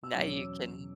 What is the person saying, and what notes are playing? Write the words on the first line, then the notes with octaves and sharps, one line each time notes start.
Now you can
E6
E2 B2 F#3 C#4 D6